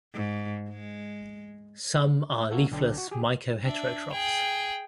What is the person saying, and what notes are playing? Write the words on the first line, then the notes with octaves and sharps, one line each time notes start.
Some are leafless myco-heterotrophs.
G#2
G#3
A#3 F#4 A4 E5
B1 D3 G5 A5
F#4
G4 G#4
D4 E5
G#4 G5